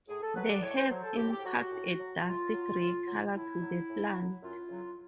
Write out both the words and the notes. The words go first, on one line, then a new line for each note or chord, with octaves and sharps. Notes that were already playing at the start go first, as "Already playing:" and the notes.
The hairs impart a dusty gray color to the plant.
A2 G#4
A4
F#3 B4
D5
A2 C#5
C5
F#3
A4
A2 G4
G4
F#3 F#4
F#4
A2
F#3
A2 F4
F#3
A2
F#3
A2 E4
F#3
A2
F#3
F#2 F4
C#3 F#3